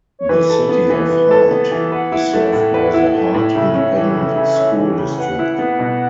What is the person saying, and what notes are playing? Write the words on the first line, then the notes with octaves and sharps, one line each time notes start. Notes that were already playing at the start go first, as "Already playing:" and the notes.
The city of Hart is served by the Hart Independent School District.
C#5
E3 B4
A4
B3
E3
E3
A4
B3
E3
B4 F#5
E4
A3
A2
B4
E4
A3
A2
C#3 E5
C#4
E3
C#3
C#3
C#4
E3
C#3
B4 F#5
E4
B3
B2